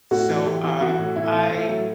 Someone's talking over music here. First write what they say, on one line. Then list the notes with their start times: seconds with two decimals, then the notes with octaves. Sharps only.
So, um, I
0.11 A2 F#4
0.29 E3
0.46 E3 G4
0.63 E3
0.81 E3 F#4
0.99 A2
1.16 A2 E4
1.33 E3
1.50 A2 E4
1.68 F#3